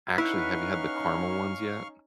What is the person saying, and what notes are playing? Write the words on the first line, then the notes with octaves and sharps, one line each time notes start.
Actually, have you had the caramel ones yet?
C#4 D#4 E4 B4 F5 F#5 C#6 F6